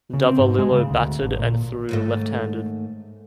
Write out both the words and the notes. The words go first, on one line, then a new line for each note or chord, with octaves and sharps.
Davalillo batted and threw left-handed.
C#3
C4
G#2
G#3
C#3
D2
A1
A#2
D#2 G#2 A3